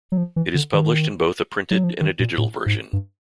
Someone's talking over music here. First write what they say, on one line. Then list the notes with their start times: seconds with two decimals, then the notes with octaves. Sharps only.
It is published in both a printed and a digital version.
0.12 F#3
0.17 F3
0.36 E3
0.55 D3
0.74 D#3
1.71 F#3
1.84 F3
2.01 D#3
2.20 A#2
2.38 A2
2.66 G#2
2.93 G2